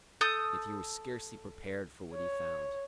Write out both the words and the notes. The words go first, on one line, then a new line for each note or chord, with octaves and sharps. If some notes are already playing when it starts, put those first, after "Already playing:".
Yet he was scarcely prepared for what he found.
A4 D#6 G6
C#5